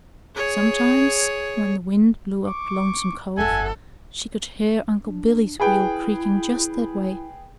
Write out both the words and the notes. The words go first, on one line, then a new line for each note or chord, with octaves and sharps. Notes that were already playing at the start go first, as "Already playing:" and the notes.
Sometimes, when the wind blew up Lonesome Cove, she could hear Uncle Billy's wheel creaking just that way.
G#4 C#5
C#6 D6
G1 F2 A4 E5 F#5 G#5
D4
E4 G#4 B4 G5